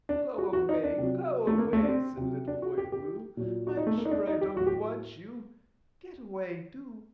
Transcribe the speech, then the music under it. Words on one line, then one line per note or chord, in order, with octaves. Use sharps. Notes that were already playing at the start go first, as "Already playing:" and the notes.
"Go away! go away!" said Little Boy Blue; "I'm sure I don't want you--get away--do."
D4
F#4
F#4
D#4
D4
C3 F#3
A3
A#3
A3
D4
C4
C3 F#3
D4
F#4
G4
G4
A#2 F#3
F#4
D#4
A3
A#3
D#4
D4
D#4
G4
A2 F#3 F#4
G4